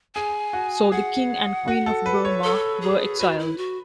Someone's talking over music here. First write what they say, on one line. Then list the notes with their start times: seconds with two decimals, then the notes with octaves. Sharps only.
So the king and queen of Burma were exiled.
0.15 G#4 G#5
0.53 F#4
0.92 G#4 F#5
1.68 F#4
1.86 A4
2.06 B4
2.25 C#5
2.44 A4
2.81 G#4
3.19 F#4 B4
3.39 E4
3.58 F#4